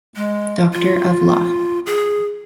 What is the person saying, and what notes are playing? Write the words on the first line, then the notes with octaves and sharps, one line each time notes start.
Doctor of Law.
G#3
F4
G#4